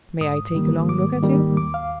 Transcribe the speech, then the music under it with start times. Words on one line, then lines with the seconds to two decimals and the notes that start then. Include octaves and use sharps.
"May I take a long look at you?"
0.21 G#2 D#6
0.55 D#3 G3 A#3
0.89 G#2 D6
1.23 D#3 G3 A#3
1.57 D#2 D6
1.74 F5